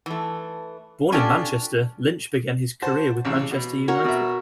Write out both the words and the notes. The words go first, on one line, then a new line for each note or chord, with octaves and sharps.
Born in Manchester, Lynch began his career with Manchester United.
E3 A3
C#4 D4 F4 G4 A4 C#5
F#4 C5 A5
A1 C#3
B2
F#4 A#4 C#5
B2 E5